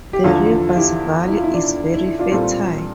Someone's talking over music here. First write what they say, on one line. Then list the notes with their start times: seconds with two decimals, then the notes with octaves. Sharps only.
The river's valley is very fertile.
0.13 G4
0.24 E2 D3 F3 F4 A4
0.69 F4
0.76 E4 G4
1.28 E4
1.36 F4
1.44 E4
1.54 D4
1.94 E4
2.07 E4
2.19 D4 F4
2.32 A#2 G3 C4 F4 A4